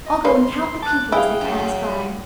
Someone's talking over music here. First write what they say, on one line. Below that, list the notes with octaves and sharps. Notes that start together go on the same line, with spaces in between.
I'll go and count the people as they pass by.
D#5
G3 A#3 B4 C6
A5 D6 F#6
E4 G#4 F5 G5
F#2